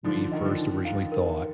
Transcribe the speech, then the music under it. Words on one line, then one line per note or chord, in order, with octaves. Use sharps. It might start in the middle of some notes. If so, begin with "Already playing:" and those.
we first originally thought,
D3 F3 D#4
D3
D#3 D#5
D3 F3
D#4
D#3 F5
A#4